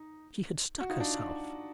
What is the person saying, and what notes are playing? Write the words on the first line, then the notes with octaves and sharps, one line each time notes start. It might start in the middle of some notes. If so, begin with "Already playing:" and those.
She had stuck herself.
Already playing: D#4
F#4
D#4 F4
D4